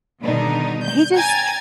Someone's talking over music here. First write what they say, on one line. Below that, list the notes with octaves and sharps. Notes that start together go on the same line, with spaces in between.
"He just ch
G2 B2 D3 D#3 D4 D#4
G6
G5 G#5 A#5 G#6 A6